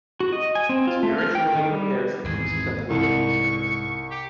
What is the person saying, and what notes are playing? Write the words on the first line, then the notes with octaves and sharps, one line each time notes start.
It spiritually prepares the priests and the liturgy service.
F#4
D#5
G#5
C4
F4
A3
F6
G5
D#3
G3
G#1 E2 G#4
C2 G#2 C#6
G4